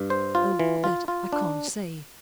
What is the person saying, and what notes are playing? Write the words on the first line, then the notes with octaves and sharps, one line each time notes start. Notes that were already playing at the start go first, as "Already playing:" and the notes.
"Oh, that I can't say."
Already playing: G2
C5
F4
E3
F4
F4
D4